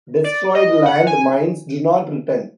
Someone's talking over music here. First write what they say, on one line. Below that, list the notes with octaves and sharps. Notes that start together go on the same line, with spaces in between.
Destroyed land mines do not return.
D5
D#5
F#5
G#5